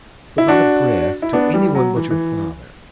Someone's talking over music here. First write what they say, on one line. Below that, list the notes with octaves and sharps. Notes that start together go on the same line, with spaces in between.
'But not a breath to anyone but your father.
E4
D4 F#4
E4
B3 D4
E3 G3
F#3
E3
E3